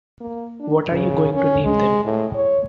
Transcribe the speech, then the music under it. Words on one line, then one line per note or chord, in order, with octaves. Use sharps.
What are you going to name them?
A#3
D4
C#3
C#4
G#3
A2
C#5